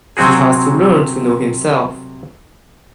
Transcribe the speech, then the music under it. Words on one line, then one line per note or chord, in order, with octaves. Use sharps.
He has to learn to know himself.
C3 F#3 C4 F#4 G#4